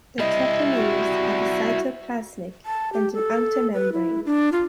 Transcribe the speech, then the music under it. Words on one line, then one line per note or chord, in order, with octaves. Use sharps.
The treponemes have a cytoplasmic and an outer membrane.
G3 E4 D#5
F#4
A5
G4
A4
B4
E4
D4
F4